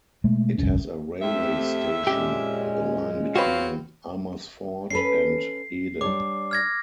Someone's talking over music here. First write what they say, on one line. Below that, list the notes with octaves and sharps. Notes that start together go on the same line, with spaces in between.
It has a railway station on the line between Amersfoort and Ede.
B2 G#3 A3
G1 C2 F2 C#4
F2 A3 C4 G4 E5
A#2 G#3 C#4 G4
C4 F#4 B4 C#5 F5
C#4 A4 B4 C7
G3 D4 C#5 D6
F6 G#6 A#6